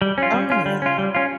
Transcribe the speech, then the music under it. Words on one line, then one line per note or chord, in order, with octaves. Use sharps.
Oh, yeah.
G3
C#4 F4
G3
C#4 F4
G3
C#4 F4
G3
C#4 F4